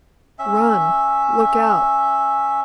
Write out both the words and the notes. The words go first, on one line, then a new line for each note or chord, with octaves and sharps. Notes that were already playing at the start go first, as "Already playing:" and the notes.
Run! Look out!
C#4 E5